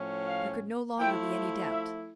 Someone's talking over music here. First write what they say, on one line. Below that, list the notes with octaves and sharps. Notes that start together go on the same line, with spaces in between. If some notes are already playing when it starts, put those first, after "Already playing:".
There could no longer be any doubt.
Already playing: A2 F3 C#4
F5
F3 A3 E4 G5
E5